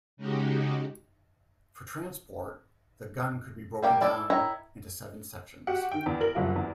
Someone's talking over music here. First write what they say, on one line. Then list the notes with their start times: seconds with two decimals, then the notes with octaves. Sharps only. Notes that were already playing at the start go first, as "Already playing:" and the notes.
For transport, the gun could be broken down into seven sections.
0.17 C#3 G#3 D#4 F#4 G4
3.83 G3 A#3 G4
4.01 E4 A4 D5
4.30 D#3 E4 C#5 A#5
5.67 F#4 G4 F#5
5.92 D#3 G5
6.06 E2
6.21 A#4 F#7
6.35 F#1 C2 F4
6.56 E2